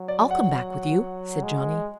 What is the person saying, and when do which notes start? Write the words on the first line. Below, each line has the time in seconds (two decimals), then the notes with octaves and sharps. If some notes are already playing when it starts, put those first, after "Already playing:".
"I'll come back with you," said Johnny.
Already playing: F#3
0.08 D5
0.31 F#5
1.43 G#3